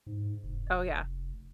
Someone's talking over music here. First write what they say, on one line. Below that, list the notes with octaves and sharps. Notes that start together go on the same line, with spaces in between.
Oh, yeah.
G#2
F1